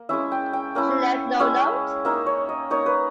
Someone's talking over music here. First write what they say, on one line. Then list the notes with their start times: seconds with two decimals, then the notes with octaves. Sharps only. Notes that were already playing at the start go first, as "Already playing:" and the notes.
She left no note.
Already playing: A#3
0.09 G#3 C#4 E4 E5
0.32 G5
0.53 G5
0.75 A#3 C#4 E4
1.40 G#3 C#4 E4
2.05 A#3 D#4 E5
2.26 C#5
2.49 D#5
2.70 A#3 D#4 C#5
2.86 B4